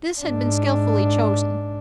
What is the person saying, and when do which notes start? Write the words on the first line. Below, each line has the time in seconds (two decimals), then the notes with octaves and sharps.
This had been skillfully chosen.
0.21 G#2 D4